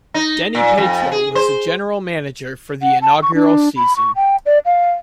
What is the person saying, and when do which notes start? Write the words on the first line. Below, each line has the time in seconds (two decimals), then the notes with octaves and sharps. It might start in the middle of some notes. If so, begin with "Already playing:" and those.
Denny Petro was the General Manager for the inaugural season.
0.14 D#4
0.55 A#2
0.78 F2
1.12 G#4
1.35 C5
2.83 F#5
3.02 A5
3.23 C#6
3.34 D4
3.77 B5
3.97 C#6
4.16 G5
4.46 D5
4.66 F5